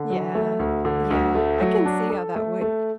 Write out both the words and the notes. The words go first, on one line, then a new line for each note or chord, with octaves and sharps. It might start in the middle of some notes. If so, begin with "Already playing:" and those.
Yeah. Yeah. I can see how that would
Already playing: D3
F#3
A3
D2
D3
D2
A3
F#3
D4
A4
A3
A3